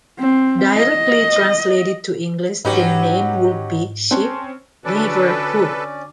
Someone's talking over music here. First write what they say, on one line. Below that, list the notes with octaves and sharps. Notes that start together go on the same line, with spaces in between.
Directly translated to English, the name would be 'Sheep-river-hook'.
C4
D#5
G#2 F#3 C#4 D#4 G4 B4
C4 C#4 A5 C6 F#6
D3 C#4 D4 F#4 A4 B4 D5